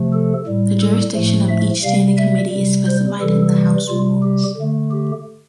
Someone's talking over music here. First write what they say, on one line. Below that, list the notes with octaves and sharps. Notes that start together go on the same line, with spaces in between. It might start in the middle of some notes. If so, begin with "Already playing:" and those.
The jurisdiction of each standing committee is specified in the House Rules.
Already playing: C3 F3 A3
A4
A2 G3
A4
A2 F3 A3
E5
C3 G3 F5
E5
C3 G3
C5
C3 E3 G3 A4
C3 G3 F4
G4
D3 A3
G4